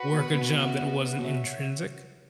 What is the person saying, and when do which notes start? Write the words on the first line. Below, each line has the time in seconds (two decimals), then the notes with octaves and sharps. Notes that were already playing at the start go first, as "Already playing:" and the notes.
work a job that wasn't intrinsic,
Already playing: F#4 B4 F#5
0.12 B2
0.33 B2
0.55 B3 F#4 E5
1.19 B2 F#4 C#5 E5